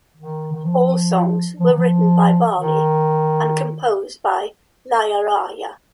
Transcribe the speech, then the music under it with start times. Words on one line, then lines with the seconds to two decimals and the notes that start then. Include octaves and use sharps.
All songs were written by Vaali and composed by Ilaiyaraaja.
0.17 D#3
0.53 D#3
0.64 F3
1.59 F3
1.68 D#3
1.77 F3
2.54 D#3